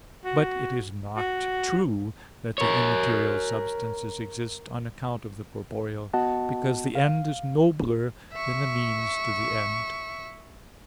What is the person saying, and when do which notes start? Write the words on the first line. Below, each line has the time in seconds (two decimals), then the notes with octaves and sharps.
But it is not true that the immaterial substances exist on account of the corporeal, because the end is nobler than the means to the end.
0.25 F#4
1.17 F#4
2.58 A#4 C#5
6.13 B3 F#4 D#5 F#5 A5
6.95 F5
8.33 E5 C#6